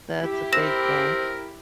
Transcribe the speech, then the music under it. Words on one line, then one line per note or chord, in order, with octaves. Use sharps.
That's a big thing.
E4 G4
C4 A#4 E6 A#6 E7